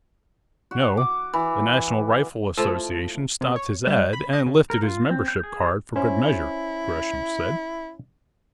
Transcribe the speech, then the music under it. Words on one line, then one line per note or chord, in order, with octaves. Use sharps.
"No; the National Rifle Association stopped his ad, and lifted his membership card for good measure," Gresham said.
F#4
D6
E3
F3 A3 E4 A4
C3
C#5
G3
B5
D#5
C#3
A#4
F4
C4
G6
G#4
C#4 E4 C5